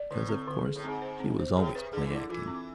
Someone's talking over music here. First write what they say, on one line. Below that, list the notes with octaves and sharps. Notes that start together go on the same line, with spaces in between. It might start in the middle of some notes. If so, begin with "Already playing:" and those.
Because of course she was always play acting.
Already playing: D5
A2 D3
C4
D3
G#4
A2
G#2 C4
C5
C4
C5
A2 G#4
C3 B4
D3 G#4
E3
D3 E4
E3 F4
C4